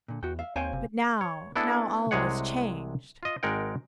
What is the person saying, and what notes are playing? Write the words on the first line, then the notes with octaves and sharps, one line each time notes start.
But now, now all was changed.
A#2 D3
E2 F#4 G5
E5 F5
D#2 C4 C5 C#5 F5 G5 G#5
F#1 C3
C#5
B3 D4 E4 G#4 A4
C2 C3 G#3 G#4 C#5 F#5
F4 D#5
G#1 G#3 A#4 F#5 G5